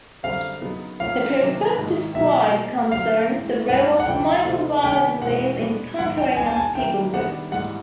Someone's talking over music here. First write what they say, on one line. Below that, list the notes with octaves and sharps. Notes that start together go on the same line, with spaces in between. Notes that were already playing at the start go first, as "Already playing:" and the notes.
The process described concerns the role of microbial disease in the conquering of people-groups.
F#2 D3 G3 C4 F5
C#3 F#3 B3 D#4
A2 F3 A#3 C#4 F5
C3 D#3 F#3 A#3 D4
G#2 D#3 G#3
B2 F#3 A#3 D#4 E5
A#2 G3 A#3
D3 F#3 A#3 F5
A2 E3 G#3
G2 E3 G#3 C#4 E4 F#5
F#5
D2 C3 F3 G5
C3 E3 A3 C4 D#4
C3 D#3 G3 A#3 D4 G5
E2 B2 G#3 C4 E4 F#5
A#2 G3 B3 D4
G#2 D#3 F#3 F#5
G5
A#2 G3 B3 D#4 G#5
A5
G#5
C2 C3 D#3 F#3 A#3 G5
D#3 G3 B3 D4 F#5
G#2 E3 G3 F#5